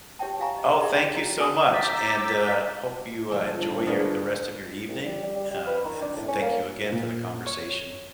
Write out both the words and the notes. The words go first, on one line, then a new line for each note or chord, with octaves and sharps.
Oh, thank you so much, and, uh, hope you, uh, enjoy your the rest of your evening, uh, and and thank you again for the conversation.
G4 C#5 E5 G5 A5
G4 E5 F5 G#5 A#5 C#6
D#5
G4 G#4 D5 E5 G5
F#4 C#5 A#5
F#4 G#4 A4 E5 G#5 D#6
A#5 D6 E6 G6 A6 B6
G1 D#3 F3 G#4 A4
D4 G#4 A#4 B4 C#5 F5
C2
G3
G3
G3
G3
B4
D#3
D4
A2
C#4
A#3
A#2
C#5